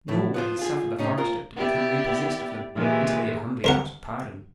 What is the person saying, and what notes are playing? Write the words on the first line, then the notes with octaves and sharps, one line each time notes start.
Nor would he suffer the forester to become repossessed of them until he had humbly asked pardon.
A2 A3
B3 F4 C5
F4 G#4
A2 D#3 C#4 D#4
F4 A#4
B3 E4 G4 D5
A#2 D#3 E3 G#3 G4
G2 A#4 F#5